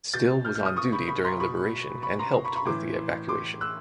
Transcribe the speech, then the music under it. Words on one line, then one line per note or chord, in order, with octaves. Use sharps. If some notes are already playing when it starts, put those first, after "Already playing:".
Still was on duty during liberation and helped with the evacuation.
B2 G6 A6
F6 G6
F6 G6
D#6 F6
C#6 D#6
B5 C#6
B5 C#6
A#5 C6
B2 B5 C#6
B5 C#6
A#5 C6
B5 C#6
B5 C#6
A2 E3 C6 D6
C6 D6
E6 F#6